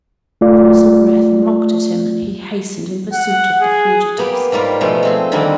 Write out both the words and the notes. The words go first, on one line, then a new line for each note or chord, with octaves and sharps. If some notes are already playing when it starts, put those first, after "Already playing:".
The frozen breath mocked at him, and he hastened in pursuit of the fugitives.
A3 F4 D5
F#5
G#4
A#3 B3 G4
G#2 G3 A#3 F4
B2 F3 G#3 A3
A3 C4 G#4
D3 D#3 G3 A#3 C4